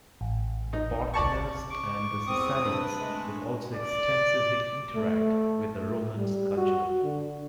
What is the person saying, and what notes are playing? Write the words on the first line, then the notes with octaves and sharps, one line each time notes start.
The Parthians and the Sassanids would also extensively interact with the Romans culturally.
A1
D#4
D5 A5 C#6
C#6 D6
E2 C4 D#6
D4 B4
G#3 A3
D5
A3
G3
F#4
D3